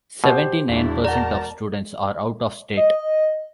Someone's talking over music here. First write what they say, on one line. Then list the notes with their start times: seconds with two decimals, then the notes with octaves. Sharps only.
Seventy-nine percent of students are out-of-state.
0.24 B2 G4 C5
0.68 E1 G#3 D4 E4
1.05 A#4 D5 F#5 A5 A#5
2.77 D#5